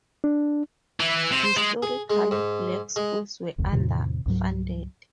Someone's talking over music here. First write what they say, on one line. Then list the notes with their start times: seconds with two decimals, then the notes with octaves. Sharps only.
Historically black schools were underfunded.
0.24 D4
1.00 E3
1.31 C3
1.43 C5
1.57 G#3
1.82 G#4
2.10 G#3
2.31 G#2
2.96 G#3
3.58 F#1 D#2 C#3
3.72 E2 A2 C3 D#3
4.26 C#2 G#2 F#3